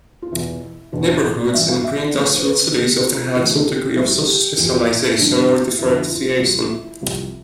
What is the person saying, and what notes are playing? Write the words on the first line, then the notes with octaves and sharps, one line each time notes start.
Neighbourhoods in preindustrial cities often had some degree of social specialisation or differentiation.
F4
E2 B2 E4
E2 B2 D4
E4
F4
D5
G2 E3 E5
F5
E5
D5
D2 D3 F3 B4
C5
B4
D2 C3 F3 G4
G4
F4
D2 C3 E3 E4
A4
G4
C2 C3 F3 E4
G4
F2 E3 F4
G4
F4
E4
E4
G2 D3 F3 D4
E4
F2 D3 F3 E4
E4
F4
G4
C2 C3 F3 F4
F4
E4
C2 C3 F3